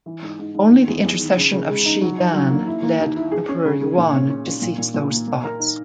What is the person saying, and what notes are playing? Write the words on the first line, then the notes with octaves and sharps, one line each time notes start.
Only the intercession of Shi Dan led Emperor Yuan to cease those thoughts.
E3
G#2
G#2
G#2
D#3
E2
E2
D#3
C#3
C#3
G#3
D#4
F#3
D#4
F#3
A#3
E4
A#3
D#2
E4
G#4
C#4
C#3
C#3
A#2
C#4
C#4
A#2
A#2
A#2
A#2
A#3
A#3
A#4
D#4